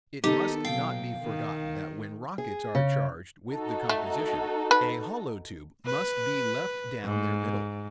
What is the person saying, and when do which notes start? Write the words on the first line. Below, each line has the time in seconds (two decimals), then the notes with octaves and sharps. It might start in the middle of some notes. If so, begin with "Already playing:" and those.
It must not be forgotten that when rockets are charged with the composition, a hollow tube must be left down their middle.
0.24 D#3 B3 D#4 G4 A4
0.65 B2 F#3 F5 G5
1.20 D#3
2.38 G#4
2.75 C#3
3.52 D#4 F#4 A4
3.89 A3
4.71 B4
5.86 B4
7.04 G#2